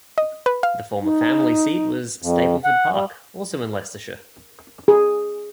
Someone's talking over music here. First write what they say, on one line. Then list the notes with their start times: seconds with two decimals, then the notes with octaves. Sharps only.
The former family seat was Stapleford Park, also in Leicestershire.
0.18 D#5
0.46 B4
0.63 F5
1.03 D#4
2.22 F2
2.64 F#5
2.92 G3
4.88 G#4